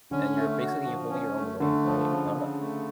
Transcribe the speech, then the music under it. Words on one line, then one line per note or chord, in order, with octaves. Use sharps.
and you're basically holding your own weight, right? I'm not
D3 C#4
A3
F#4
F3
C#4
A3
D3 A3
F3
C#3
C#3
A3